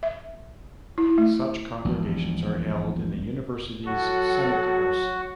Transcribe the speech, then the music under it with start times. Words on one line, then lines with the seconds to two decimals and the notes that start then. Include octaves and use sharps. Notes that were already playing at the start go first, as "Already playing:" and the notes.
Such Congregations are held in the University's Senate House.
0.03 E5
0.98 E4
1.18 A3
1.85 A#1 E2 G#2
3.87 F#3 F#4 A4 F#5